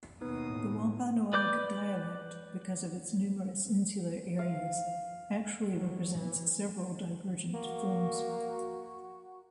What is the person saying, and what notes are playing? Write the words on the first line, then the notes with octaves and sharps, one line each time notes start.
The Wampanoag dialect, because of its numerous insular areas, actually represents several divergent forms.
D#2 B2 B3 D#4 B4 D#6
A2
B4 D5 D6 G6
F5
F#3
E3
A#3 F#4 F#5 C#6